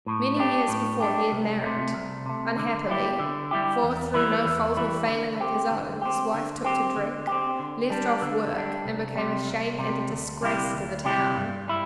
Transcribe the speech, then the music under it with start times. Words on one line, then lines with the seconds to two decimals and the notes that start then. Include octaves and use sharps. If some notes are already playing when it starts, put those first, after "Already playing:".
Many years before he had married; unhappily, for through no fault or failing of his own, his wife took to drink, left off work, and became a shame and a disgrace to the town.
0.06 A2
0.37 A3 D4 G4
0.68 A2
1.00 A3 D4 G4
1.32 C2
1.62 C3 A3
1.94 C2
2.26 C3 A3
2.56 D3
2.88 G3 E4 G4
3.20 D3
3.51 G3 E4 G4
3.83 E2
4.14 E3 G3 E4
4.45 E2
4.76 E3 G3 E4
5.08 D3
5.40 C4 G4
5.71 D3
6.02 C4 G4
6.34 D3
6.65 C4 G4
6.96 D3
7.27 C4 G4
7.59 D3
7.90 G3 D4
8.22 D3
8.54 G3 D4
8.85 C2
9.16 C3 G3
9.48 C2
9.78 C3 G3
10.10 D2
10.41 C3 G3 E4 G4
10.74 D2
11.05 C3 G3 E4 G4
11.37 G2
11.68 G3 E4